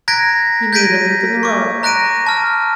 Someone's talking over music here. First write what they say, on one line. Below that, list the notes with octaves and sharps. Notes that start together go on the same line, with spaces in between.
He made a loop in the rope.
A#5 F#6 G#6 A#6 B6 D7
G6 G#6 A#6 B6 D7 D#7
C#6 D6
A#5 F#6 A#6 D7 D#7
A5 F6